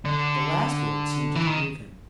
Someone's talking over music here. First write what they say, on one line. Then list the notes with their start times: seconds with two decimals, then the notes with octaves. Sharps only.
The last word seemed to move him.
0.05 D3
1.35 E3
1.46 D#3